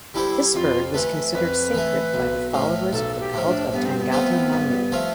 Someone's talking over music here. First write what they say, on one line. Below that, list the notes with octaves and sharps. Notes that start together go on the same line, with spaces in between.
This bird was considered sacred by the followers of the cult of Tangata manu.
G3 D4 E4 A4 C5
F2 F4
E3 A3 B4
F2 B4
E3 A3
B1
A2 F3
B1 A4
G4
A2 F3
D4
G2 B3
C4
C4
B3
F3 A3 C4 F4
G2
F3 A3 C4 F4